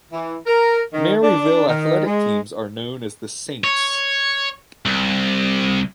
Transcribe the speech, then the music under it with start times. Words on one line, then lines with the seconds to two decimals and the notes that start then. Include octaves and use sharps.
Maryville athletic teams are known as the "Saints".
0.12 E3
0.47 A#4
0.93 D#3
1.22 D4
1.68 D#3
2.05 G#3
3.64 C#5
4.86 C2